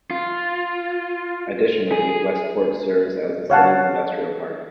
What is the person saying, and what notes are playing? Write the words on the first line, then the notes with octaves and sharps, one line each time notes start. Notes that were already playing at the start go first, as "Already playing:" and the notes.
Additionally, Westpoort serves as the city's industrial park.
F4
G#4
C#5 F5 F#5 A5